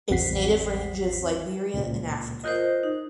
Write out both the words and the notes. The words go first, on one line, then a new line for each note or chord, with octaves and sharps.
Its native range is Liberia in Africa.
A1 E2 C4 F#5 B6 C7
C#2 A#2
F4 A#4 C5 D#5 F#6 G6
D#4